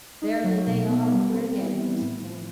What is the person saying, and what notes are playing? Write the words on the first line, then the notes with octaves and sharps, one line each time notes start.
Verily, they are a queer gang, these people.
D#4
F#3
B2
B3
G3
C4
G3
E4
A2
F3